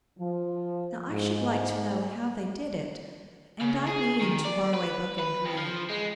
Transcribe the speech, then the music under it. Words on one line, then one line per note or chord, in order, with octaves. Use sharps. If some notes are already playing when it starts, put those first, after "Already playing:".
Now, I should like to know how they did it; and I mean to borrow a book and read.
F3
G#2
C#3
G#4
D#3
D5
B4
B4
F2
F3
G#3